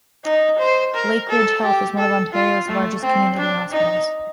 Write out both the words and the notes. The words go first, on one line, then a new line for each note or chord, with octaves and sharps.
Lakeridge Health is one of Ontario's largest community hospitals.
D#4
C5
A#4
A4
G4
A4
F4
A3
C4
D4
D#4